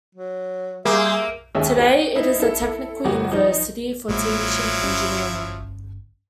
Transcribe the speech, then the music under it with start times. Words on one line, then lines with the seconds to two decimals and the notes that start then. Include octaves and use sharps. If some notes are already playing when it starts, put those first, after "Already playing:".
Today, it is a technical university for teaching engineering.
0.15 F#3
0.85 G3 A#3 G#4 E5 C6 G6
1.55 D#2 G#3 C#4 G#4 E5
1.79 F#4 G5
2.15 D#4 E4
2.40 E4 A4
3.04 G1 F#4 G4
3.31 F3 D#4
4.08 A1 F3 F#3 G#3 A#3 E4
4.83 G1 C#4